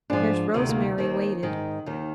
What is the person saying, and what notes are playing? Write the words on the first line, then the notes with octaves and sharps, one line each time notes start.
Nurse Rosemary waited.
G#2 F3 D4
D2 C3 D#3
A#3
D#2 D#3 C4
G#2 D#3
D#2 D#3